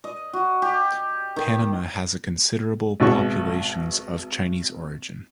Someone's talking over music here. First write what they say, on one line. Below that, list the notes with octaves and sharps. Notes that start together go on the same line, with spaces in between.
Panama has a considerable populations of Chinese origin.
D#5
F#4
G4
D#3
G#1 B2 C#6